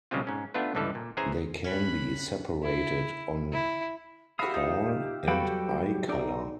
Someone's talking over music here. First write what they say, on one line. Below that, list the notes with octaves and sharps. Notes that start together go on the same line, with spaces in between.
They can be separated on call and eye colour.
B1 C#3 G3 G#3 C4 F4
G#2 C#4
A3 B3 D4 F4 B4
C#2 G2 D3 E3 A4 F5
A#2
E3 C#4 G#4 C5 G#5 A#5
C#4 B5 F#6
E4
E4
F#4 G4 E5 F5 B5 D#6
D#4 F4
F#3 G3 F#4 A4 B4 F5 G5
D#4 G#4 D5 E5 A#5